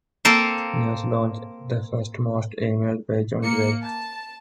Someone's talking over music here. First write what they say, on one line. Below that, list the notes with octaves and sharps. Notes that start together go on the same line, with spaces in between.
News launched the first "most-emailed" page on the web.
A#3 C4 A4 A#4 C5
A#3 C#7
A5